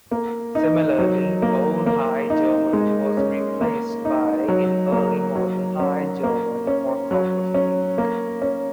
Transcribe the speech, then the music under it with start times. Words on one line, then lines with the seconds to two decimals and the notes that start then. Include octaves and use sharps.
Similarly, Old High German was replaced by in Early Modern High German orthography.
0.11 A#3
0.55 D#4
0.99 F#3
1.42 A#3
1.86 A#3
2.30 D#4
2.73 G#3
3.17 C#4
3.61 A#3
4.05 D#4
4.48 F#3
4.92 A#3
5.36 F#3
5.80 C#4
6.23 A#3
6.67 C#4
7.11 F#3
7.54 C#4
7.98 A#3
8.42 C#4